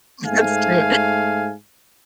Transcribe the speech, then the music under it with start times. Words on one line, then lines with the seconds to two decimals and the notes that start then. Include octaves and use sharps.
that's true.
0.25 G#2 A3 F5 G#5